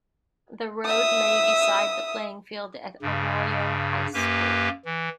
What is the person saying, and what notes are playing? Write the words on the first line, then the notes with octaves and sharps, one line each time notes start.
The road lay beside the playing field at Arroyo High School.
E5 D#6
G2 C#3
F#2 A#3 G4 B4
E3